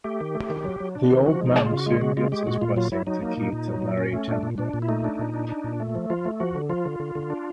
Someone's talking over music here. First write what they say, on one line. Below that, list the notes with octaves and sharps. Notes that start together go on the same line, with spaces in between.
The Old Man soon gives his blessing to Kee to marry Chandler.
A3 G4
D#3
A3
D#3
F#3
F#3
D4
D#3
F3 F#4
G#3 D#4
C#3
F4
C#3
F#4
G#3 F4
C#3 F#4
G#3 F4
G#3 G4
A#2 F#4
A#2 F4
F#3 F4
F#3 E4
F#3 D#4
A#3
A#2
A#2
F#3
A#2
C#4
A3
A#2 D4
A#2
A#2 D4
A#2
E4
A3 D#4
D4
A#2
D4
D4
A#2
A3
F3
F3 F4
A3
F3 F#4
D3
F3 F4
D3
D3
D3
D4